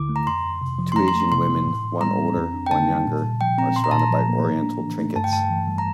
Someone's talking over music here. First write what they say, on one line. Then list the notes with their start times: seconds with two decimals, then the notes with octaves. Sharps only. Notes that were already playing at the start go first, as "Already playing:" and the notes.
Two Asian women, one older, one younger, are surrounded by oriental trinkets.
Already playing: D2 D3 E4 D6
0.09 A3
0.16 A#5
0.27 F2 C6
0.44 F2
0.61 C3
0.79 F3
0.92 C6
0.96 F2 A#5
1.08 C6
1.15 A3
1.20 C6
1.32 C3 C6
1.50 E3
1.67 A2
1.84 A2
2.01 G3 A#5
2.19 C4
2.36 F2
2.54 D4
2.66 G5
2.71 D3 A5
2.89 G3
3.07 A#2
3.24 A#2
3.41 F3 G5
3.58 C4 A#5
3.76 A#2 C6
3.84 A#5
3.91 A#2 A5
4.00 A#5
4.11 F3
4.28 A#3
4.46 A2
4.63 D4
4.81 E3
4.98 A3
5.16 G2 A5
5.24 G5
5.33 G2 A5
5.50 E3
5.68 G3
5.78 A#5